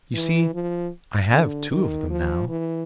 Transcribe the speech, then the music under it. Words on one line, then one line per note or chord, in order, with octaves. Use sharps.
You see, I have two of them now.
E3
F3
D3
D#3
F3
E3